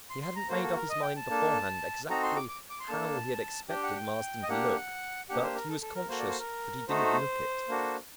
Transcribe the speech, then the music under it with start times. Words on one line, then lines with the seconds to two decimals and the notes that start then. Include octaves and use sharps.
He hadn't made up his mind beforehand exactly how he had expected Marsden to look, but he was conscious that he didn't look it.
0.10 C6
0.22 C6
0.36 A#5
0.49 A#3 F#4 A4 C5
0.63 A4
0.76 A#4
0.89 D#5
1.02 G5
1.17 A5
1.30 A#3 D4 A4
2.09 C4 D#4 F#4 A4 A#5
2.23 C6
2.36 D6
2.49 D6
2.70 D6
2.80 C6
2.89 A#3 D4 A4 A5
3.69 D4 G4 G5
3.83 F#5
3.96 G5
4.43 D#5
4.48 A#3 D4 G4 F#5
5.29 A#3 D4 G4 F#5
5.43 C5
5.56 A#4
5.69 A4
5.82 A4
5.95 A#4
6.08 A#3 F#4 A4 C5
6.19 D5
6.28 C5
6.39 A#4
6.88 A3 D#4 F#4 A4 C5
7.69 A#3 D4 F#4 A4